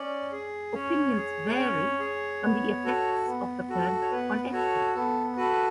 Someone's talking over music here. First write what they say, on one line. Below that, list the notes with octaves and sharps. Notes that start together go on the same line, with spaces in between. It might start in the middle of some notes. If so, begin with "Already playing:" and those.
Opinions vary on the effects of the plan on Ashton.
Already playing: C#4 D5
G#4
C#4 C#5
G#4
C#4
G#4
B3
F#4 A4
B3
F#4 A4
C#5
B3 B4
F#4 A4 C#5
B3 A4
F#4 A4 B4